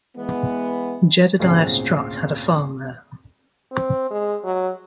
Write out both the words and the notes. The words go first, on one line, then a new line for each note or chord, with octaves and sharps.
Jedediah Strutt had a farm there.
E3 G#3 B3
G#1 D2 A#2 C#3 C4 C7
C4
G#3
F#3